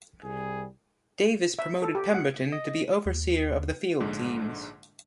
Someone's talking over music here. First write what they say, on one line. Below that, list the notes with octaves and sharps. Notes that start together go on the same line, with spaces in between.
Davis promoted Pemberton to be overseer of the field teams.
C2 G3 G#4
E5
A4
G4
F#5
D#5
D#2
A#1 G#2 D3 G#3